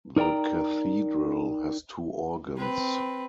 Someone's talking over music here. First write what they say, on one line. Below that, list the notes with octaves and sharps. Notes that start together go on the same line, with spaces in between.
The cathedral has two organs.
D#4 A#4 D5 G5 A#5
C4 B4